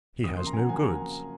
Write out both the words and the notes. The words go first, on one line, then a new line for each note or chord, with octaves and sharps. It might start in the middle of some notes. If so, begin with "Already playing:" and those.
He has no goods.
F2 C#3 F#3 A#3 D#6
C6
A#5
G#5
F#5
F2 C#3 F#3 A#3 G#5
A#5